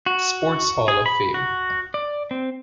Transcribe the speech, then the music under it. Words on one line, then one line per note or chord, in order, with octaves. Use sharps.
Sports Hall of Fame.
F#4
G#4
B5
F#4
D5
C4